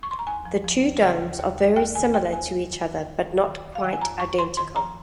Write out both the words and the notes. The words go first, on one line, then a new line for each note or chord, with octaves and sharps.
The two domes are very similar to each other but not quite identical.
C#6
C6
A#5
D#2 G#5
F3
F3
D#2
C#3
D#2
D#2
D#2
D#2 G5
D#3 G#5
D#2 G5
D#2 G#5
D#2
D#3
D#2
D#3
D#3
D#3
D#3
F5
D#3 G5
G#5
F2 A#5
F2 C#6
F2 C6
D#3 C6
F3 A#5